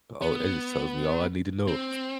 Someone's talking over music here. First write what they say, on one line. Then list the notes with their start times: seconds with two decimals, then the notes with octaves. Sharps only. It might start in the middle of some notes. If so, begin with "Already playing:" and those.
Oh, that just tells me all I need to know.
0.22 B3
1.68 C4